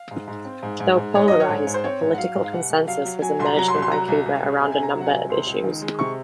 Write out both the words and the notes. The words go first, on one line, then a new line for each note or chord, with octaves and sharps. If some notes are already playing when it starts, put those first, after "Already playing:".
Though polarized, a political consensus has emerged in Vancouver around a number of issues.
Already playing: F5
G#2
G#2
C4
G#2
G#2
G#2
G#2 C#5
F#3 D#5
C#5
G#2
G#2
C5
C4 C#5
G#2
F#5
F#3 F5
G#2
F5
C2 F#5
C2
F#3 F5
F#3
F#3 G#5
C2 C6
A#5
F#3 A#5
C6
C2
C6
F#3 A#5
C2
C2
C2
C3 G#5
C3 G#5
A#5
F#3
F#5
G#5
C3
C#2 C6
C#2
D#3
G#3
C3 C#6